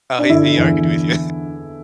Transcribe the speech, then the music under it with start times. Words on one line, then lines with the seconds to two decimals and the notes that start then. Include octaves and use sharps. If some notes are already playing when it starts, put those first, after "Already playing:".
Oh, he he argued with you.
0.19 D4
0.30 D3 E4
0.57 E2